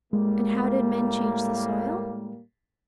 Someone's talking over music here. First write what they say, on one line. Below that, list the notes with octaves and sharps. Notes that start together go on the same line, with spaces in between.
And how did men change the soil?
A2 G3 G#3 A#3